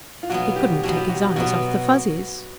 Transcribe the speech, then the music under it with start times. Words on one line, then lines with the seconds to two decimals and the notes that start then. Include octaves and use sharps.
He couldn't take his eyes off the Fuzzies.
0.23 F4
0.30 B2 F#3 B3 F#4
0.56 G4
0.83 B2 F#3 B3 F#4
0.97 G4
1.09 F#4
1.36 B2 F#3 B3 F#4